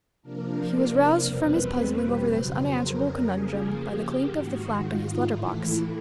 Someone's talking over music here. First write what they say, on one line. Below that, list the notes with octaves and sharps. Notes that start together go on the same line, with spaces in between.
He was roused from his puzzling over this unanswerable conundrum by the clink of the flap in his letter-box.
C3 F3 A#3 D4 A#4
E2 B2 G3 C4 B4
B4
F2 C#3 F#3 C5
A#4
C#3 F3 A#3 G#4
G4
G#2 D#3 G#3 F#4
F4
A2 E3 A3 E4